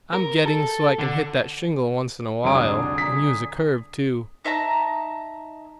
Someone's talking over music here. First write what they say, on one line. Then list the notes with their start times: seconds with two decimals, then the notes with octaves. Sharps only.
I'm getting so I can hit that shingle once in a while, and use a curve, too.
0.13 A#4
0.46 A4
0.99 D3
2.44 F1 C2 D3 F#3 G#4 A#5 D7
2.98 A#5 B6
4.45 D#4 E5 A5 A#5